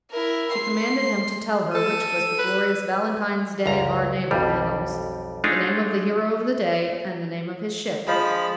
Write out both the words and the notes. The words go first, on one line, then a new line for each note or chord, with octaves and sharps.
She commanded him to tell her which was the glorious Valentine's day of our naval annals; the name of the hero of the day, and the name of his ship.
E4 A#4
C6 C7
A4 E6 D#7
B4
C#2 F#2 A#5
B1 F2 G3
G#3 A3 D4 D#4 F4
D3 F3 G#3 B5